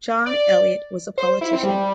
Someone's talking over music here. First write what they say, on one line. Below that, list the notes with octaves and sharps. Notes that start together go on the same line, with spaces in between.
John Elliot was a politician.
D5
C5
E4
C4
G3